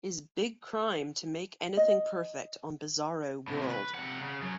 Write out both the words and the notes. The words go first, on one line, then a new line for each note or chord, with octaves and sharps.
Is big crime to make anything perfect on Bizarro World!
D#5
A2 C3
B4
C3 F#5
C#3
F#2 F#3